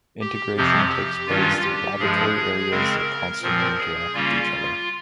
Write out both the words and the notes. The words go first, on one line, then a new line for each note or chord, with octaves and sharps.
Integration takes place through laboratory areas that constantly interact with each other.
G4
F2 C3 F3 C4 G4
G2 D#3 G3 C#4 F4
G4
G2 F3 G#3 G#4
C#3 G#3 C4 A#4
A#2 F3 C4 A#4
G#4
C#3 G3 A#3 C#4 F4